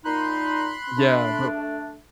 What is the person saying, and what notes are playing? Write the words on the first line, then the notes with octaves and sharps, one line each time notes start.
yeah, but
A#2 D#4 B5 C6 F#6
A3 D4